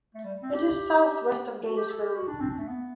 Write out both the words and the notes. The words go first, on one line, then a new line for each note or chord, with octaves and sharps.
It is southwest of Gainesville.
A3
G3
C4
G4
F#4
G4
A4
G4
F#4
D4
C4
D4
A3
B3